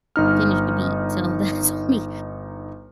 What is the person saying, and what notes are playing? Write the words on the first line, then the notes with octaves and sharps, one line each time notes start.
finish the beat, so, that's on me,
G1 D#4 F6